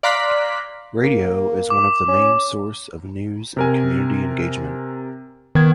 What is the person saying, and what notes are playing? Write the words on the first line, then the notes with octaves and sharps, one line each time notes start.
Radio is one of the main source of news and community engagement.
D5 F5 A#5 C6 F#6 B6
A#3
D6
C#4
C3 A#4 G#5
D#3 B3 G#6